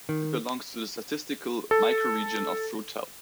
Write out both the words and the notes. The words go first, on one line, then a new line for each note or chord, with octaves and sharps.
It belongs to the statistical microregion of Frutal.
D#3
A4